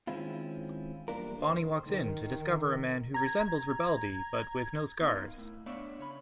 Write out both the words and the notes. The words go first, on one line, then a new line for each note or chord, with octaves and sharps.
Bonnie walks in to discover a man who resembles Ribaldi, but with no scars.
D#3 G#3 C4 C#4 E4 F4
E2 G3 A#3 D4 F4 A#4
D3 C5
D#3
A#5 G#6
B3 D#4 A#4 F5
A2
B3 D4 C#5 D5 E5 F5
C#3 C#5 B5